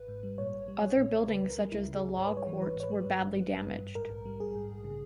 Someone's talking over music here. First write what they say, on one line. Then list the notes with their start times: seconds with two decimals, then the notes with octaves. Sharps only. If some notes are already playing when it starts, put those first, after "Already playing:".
Other buildings, such as the Law Courts, were badly damaged.
Already playing: G#1 B4
0.08 G#2
0.23 G3
0.38 A#2 C#5
0.53 A#1
0.68 G3
0.82 A#1
0.97 A#2
1.13 A#1
1.27 C#3 B4
1.42 C#2
1.50 A#4
1.58 G3
1.72 C#2 E4
1.87 C#3
1.95 G#4
2.02 C#2
2.17 G#2 C#5
2.27 G3 B4
2.37 C#5
2.47 E3
2.61 G#1 B4
2.76 G#2 C#5
2.83 B4
2.91 G3
3.06 G2
3.21 G#1
3.36 G3
3.51 G#1
3.66 G2
3.80 G#1
3.95 G#2 A#4
4.10 A#1
4.25 G3
4.40 A#1 G#4
4.55 G#2
4.70 A#1
4.84 C#3